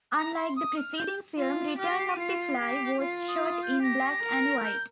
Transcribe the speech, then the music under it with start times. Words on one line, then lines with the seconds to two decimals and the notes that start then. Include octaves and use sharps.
Unlike the preceding film, "Return of the Fly" was shot in black and white.
0.16 A#5
0.35 C6
0.56 D#6
0.77 F6
0.97 G6
1.37 F4
1.79 G4 F6
1.89 A#6
1.99 C7
2.09 D#7
2.19 F4 C7
2.61 G4
3.00 F4 C7
3.28 D#6
3.42 D#6
3.63 G6
3.83 G4 A#6
4.23 A#4
4.64 G6